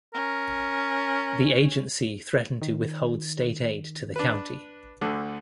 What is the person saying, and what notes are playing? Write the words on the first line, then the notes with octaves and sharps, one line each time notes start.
The agency threatened to withhold state aid to the county.
C#4 A#4
D#3
D4 B4
D2 D3